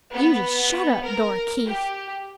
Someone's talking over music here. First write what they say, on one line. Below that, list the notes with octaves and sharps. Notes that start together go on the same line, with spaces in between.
"You just shut up, Dora Keith."
B3
A#4
G4